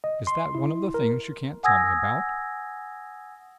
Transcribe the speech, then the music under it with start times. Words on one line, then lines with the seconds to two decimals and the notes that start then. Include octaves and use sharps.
"Is that one of the things you can't tell me about?"
0.04 D#5
0.27 C6
0.55 E4
0.94 A#4
1.63 F#5 G#5 D#6 E6 G#6 A#6